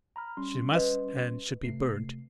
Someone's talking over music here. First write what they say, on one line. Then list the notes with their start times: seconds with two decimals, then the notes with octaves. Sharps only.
She must and should be burnt.
0.16 A#5 B5 F6
0.37 G3 C#4 C6
0.74 B4 D#5
1.64 C3 A3 C7